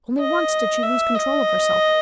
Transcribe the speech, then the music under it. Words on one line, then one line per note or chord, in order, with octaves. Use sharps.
Only once did she lose control of herself.
D#5
E5
D#5